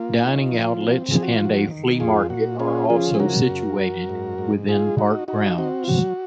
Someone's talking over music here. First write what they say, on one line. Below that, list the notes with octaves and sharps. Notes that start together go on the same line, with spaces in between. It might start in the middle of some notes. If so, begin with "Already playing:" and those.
Dining outlets and a flea market are also situated within park grounds.
Already playing: A#3 F4
D#4
F3
C4
F3 G#4
F#4
F4
F3 F#4
D#3
F2 F4 G#4
A#2 F#4
C#4 F4 G#4
F3 F4 G#4
G#4
C#3 F#4 A#4
F#2
F#2
G#2
G#2
G#3 F4 G#4
D#4 F#4
D#4 F#4
C4 F#4
F4
F#3 F#4